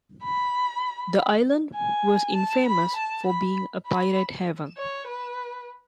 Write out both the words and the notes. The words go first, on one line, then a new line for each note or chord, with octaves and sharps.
The island was infamous for being a pirate haven.
B5
G#5
A5
B5
A5
B5
B5
C#5
B4